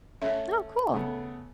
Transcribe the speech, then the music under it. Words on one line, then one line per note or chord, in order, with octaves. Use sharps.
Oh, cool.
A3 C#4 A4 E5
C#3 A3 B3